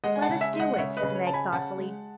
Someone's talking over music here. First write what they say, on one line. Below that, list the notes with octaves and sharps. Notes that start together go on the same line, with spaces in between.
"Let us do it," said Meg thoughtfully.
G#3 D#5 F#5
G#5
F#5 A5
C#3
E5 G#5
G#3
D#5 F#5
F#5
C#3 C#5 E5
B4 D#5
C#3
C#5
C#3 A5
G#5 B5
C#3 F#5 A5
G#3